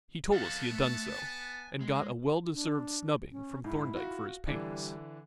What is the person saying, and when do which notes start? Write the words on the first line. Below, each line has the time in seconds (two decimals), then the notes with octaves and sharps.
"He told us he had done so, and got a well-deserved snubbing from Thorndyke for his pains."
0.32 B3 A4 F5 A5
0.72 A3
1.18 G#5
1.81 G#3
2.54 D4
3.32 C#4
3.64 G#2 E4
3.96 F4 F#4
4.47 D3 E3 G3 D4